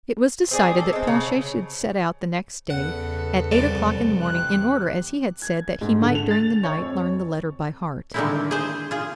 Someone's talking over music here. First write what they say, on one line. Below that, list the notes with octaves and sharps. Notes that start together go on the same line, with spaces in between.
It was decided that Planchet should set out the next day, at eight o'clock in the morning, in order, as he had said, that he might during the night learn the letter by heart.
C4 G#4 D5
A4
G#3 C4
C#3
E2 C#3 A4 B4 F#5
C2 F2 D5
E2 C3 F#6
G#6
G#2
D3
F7
A6
C#5
F2
D3 D#3 G3 G#3 C4 E4
G#4 C5
F4 G#4